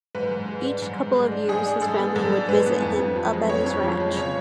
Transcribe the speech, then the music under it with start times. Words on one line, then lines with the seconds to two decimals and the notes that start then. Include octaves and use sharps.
Each couple of years, his family would visit him up at his ranch.
0.15 G#2 B4
0.31 G#2
0.48 G#3
0.64 D4
0.82 G#2
0.98 G#2
1.16 G#3
1.32 D4
1.48 G#2 G#4
1.65 D4
1.81 G#3 A4
1.99 B3
2.16 G#2 A4
2.32 D4
2.49 G#3 B4
2.66 B3
2.82 F2
2.99 F2
3.16 F3
3.33 G#3
3.49 F2 C#5
3.66 F2
3.83 F3
4.00 G#3
4.17 C#3 C#5